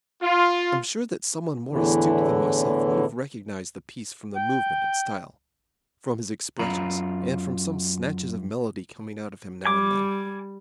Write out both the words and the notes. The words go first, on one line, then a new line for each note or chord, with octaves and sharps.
I'm sure that someone more astute than myself would have recognized the piece from the movement and style, from his expressions, and from some snatches of melody coming out of him now and then.
F4
E2 A2 D3 E3
G5
F#2 F4 A#5 B5
G3 G#5 D6